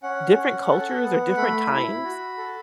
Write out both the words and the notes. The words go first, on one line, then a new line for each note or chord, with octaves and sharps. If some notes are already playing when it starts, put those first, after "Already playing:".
different cultures, or different times
C#4 F#5
C#4
A4
B3
A3 B5
E4
F#4
A4